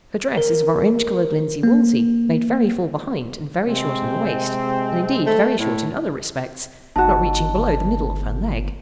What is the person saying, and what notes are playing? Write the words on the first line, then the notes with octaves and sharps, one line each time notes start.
Her dress is of orange-colored linsey-woolsey, made very full behind and very short in the waist--and indeed very short in other respects, not reaching below the middle of her leg.
A#4
A#3
C3 G#3 C4
A3
A2
G1 D#4 F#4 A5